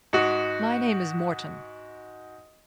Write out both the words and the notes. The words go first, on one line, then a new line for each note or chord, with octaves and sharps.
"My name is Morton."
G#2 F#4